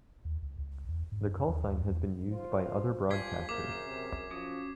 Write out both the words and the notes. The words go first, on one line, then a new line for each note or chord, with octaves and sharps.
The call sign has been used by other broadcasters.
D#2
C#2
C#2
E2
G#2
F#2
D#2
D#2
E2
F4 C5
F3 G4 G#5 G#6 B6 C7
F#2 A#3 G#4 A#4 C5 D6
C3
F3 C#4 F#4 D#6